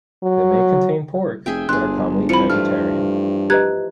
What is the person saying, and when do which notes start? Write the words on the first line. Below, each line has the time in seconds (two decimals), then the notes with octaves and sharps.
They may contain pork, but are commonly vegetarian.
0.24 F#3
1.46 F1 G#4 E5 G5
1.69 G1 D4 G#4 C6 F#6
2.29 C2 E3 F3 B5 C#7
2.50 G2 A3 F6
3.50 G4 B4 D#5 A#5 F#6 G#6